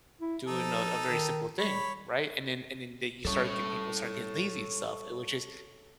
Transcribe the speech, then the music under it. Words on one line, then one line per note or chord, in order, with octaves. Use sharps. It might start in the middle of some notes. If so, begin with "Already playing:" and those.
doing a a very simple thing, right? And then and then they you start getting people start getting lazy and stuff, eh, which is
E4
F3 D#4 A4
D#3
G3 C#5 B5
G3 C#4 A4 C#5